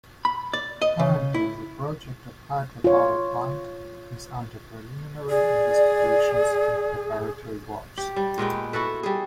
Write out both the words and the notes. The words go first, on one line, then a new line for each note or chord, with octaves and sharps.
Currently the project of hydro power plant is under preliminary investigations and preparatory works.
B5
D5
D#5
C#3
E4
F4 C#5
G#4 D5
G4
G3
A#2 G#3 B3 G5
E4 F#4 A4 B4
G3 G#4